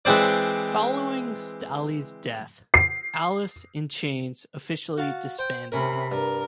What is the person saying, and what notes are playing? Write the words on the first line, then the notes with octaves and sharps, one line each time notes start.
Following Staley's death, Alice in Chains officially disbanded.
E3 G#3 C4 C5 D5
C7
F#4 F5 A5
C5 G5
C3 C#4 A#4 B5
G2 A#4